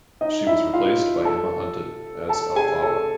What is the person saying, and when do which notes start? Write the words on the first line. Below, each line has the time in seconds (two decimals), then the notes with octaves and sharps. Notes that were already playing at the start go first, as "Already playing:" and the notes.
She was replaced by Emma Hunton as Elphaba.
0.21 D#4 D#5
0.47 E4 E5
0.73 F4 F5
1.25 A4 A5
2.29 A4 A5
2.55 G#4 G#5
2.82 A4 A5